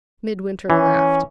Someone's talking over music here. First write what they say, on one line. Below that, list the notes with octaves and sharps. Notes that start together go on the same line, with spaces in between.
Midwinter laughed.
E3 C#4